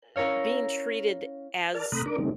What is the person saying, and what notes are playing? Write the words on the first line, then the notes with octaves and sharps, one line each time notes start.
eh, being treated as
C#4 E4 A#4 C#5 F5
A#4 D5 A5 F6
C3 A3 A#5 B5 D#6 F#6
D4 A#4 D6
C#3 G3 A3 C4 D#4